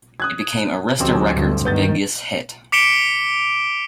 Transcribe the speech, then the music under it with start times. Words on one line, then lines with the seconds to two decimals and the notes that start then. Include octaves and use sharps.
It became Arista Records' biggest hit.
0.20 D#6 F#6 G#6
1.00 A1 D2 F#3 G3 C4
1.34 D2 G2
1.65 G2 D#3 B3 G6 A6
2.72 D6 B6 C#7 D7 E7 G7